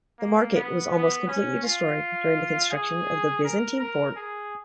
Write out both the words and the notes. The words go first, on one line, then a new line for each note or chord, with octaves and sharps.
The market was almost completely destroyed during the construction of the Byzantine fort.
A#3
B3
B3
C#4
F4
G#4
A#4
A#4
G#4